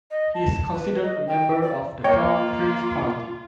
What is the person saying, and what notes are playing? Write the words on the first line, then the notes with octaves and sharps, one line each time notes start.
He is considered a member of the Crown Prince Party.
D#5
A5
B4
D#5
G5
D5
A#3 F4 C#5 D#5 G5